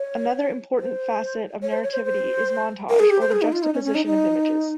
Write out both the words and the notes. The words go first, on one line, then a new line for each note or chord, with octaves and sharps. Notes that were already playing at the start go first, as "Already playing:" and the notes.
Another important facet of narrativity is montage, or the juxtaposition of images.
Already playing: C#5
C5
C#5
C5
C#5
C5
C5
A#4
G#4
G4
C5
G#4
D#4
F4
D#4
C#4
C#4
D#4
D#4